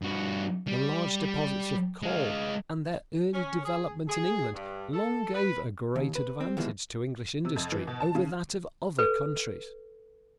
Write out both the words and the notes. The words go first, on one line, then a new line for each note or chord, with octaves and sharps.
The large deposits of coal and their early development in England long gave a great advantage to English industry over that of other countries.
G2 F#4
G3
G3
G#3 F5
C#4
G#4
G#4
G2
A4
B4
D#2
B4
C4
D#2 B2 E3 F3 G#3
C3
F2
E3
B2
A5
C#3
A4 B4